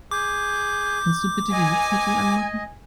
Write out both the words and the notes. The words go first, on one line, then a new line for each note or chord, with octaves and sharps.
Kannst du bitte die Sitzheizung anmachen?
G#4 D6 G6
D#5 G#5 G#6